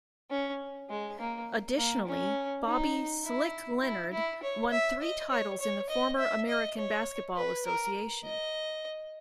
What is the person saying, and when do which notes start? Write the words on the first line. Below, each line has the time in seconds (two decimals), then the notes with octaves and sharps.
Additionally, Bobby "Slick" Leonard won three titles in the former American Basketball Association.
0.30 C#4
0.90 G#3
1.19 A#3
1.77 A#3
2.07 C#4
2.65 D#4
3.25 E4
3.83 E4
4.13 E4
4.43 C#5
4.72 E5
5.02 D#5
5.31 C#5
5.60 C#5
5.90 D#5
6.19 E5
6.49 D#5
6.77 C#5
7.36 B4
7.66 A#4
8.25 D#5